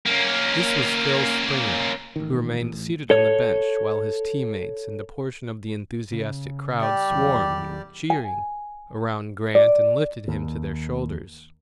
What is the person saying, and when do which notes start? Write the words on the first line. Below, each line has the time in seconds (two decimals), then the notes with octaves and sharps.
This was Phil Springer, who remained seated on the bench while his team-mates and a portion of the enthusiastic crowd swarmed, cheering, around Grant and lifted him to their shoulders.
0.06 A#3 C#4
2.16 A1 D#3
2.61 A1
3.10 A4 C#5
6.12 C#3
6.81 G3 G4 D5
7.11 E2 D#3 F#3
8.10 G#5
9.55 D5
10.28 D#2